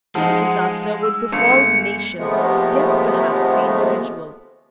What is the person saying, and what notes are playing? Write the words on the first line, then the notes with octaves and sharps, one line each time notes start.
Disaster would befall the nation,--death, perhaps, the individual.
F3 G#3 D#4 F#5
E6
G1 C#7
D#2 C3 F3 G#3 A3 B3